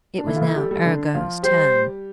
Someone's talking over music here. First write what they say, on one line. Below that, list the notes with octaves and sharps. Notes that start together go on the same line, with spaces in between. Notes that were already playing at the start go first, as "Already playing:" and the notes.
It was now Arago's turn.
D4
E3 E4 A4
F4
E3 E4
G3 G4
G3 G4
D3 D4
F3 F4
G3 G4 C5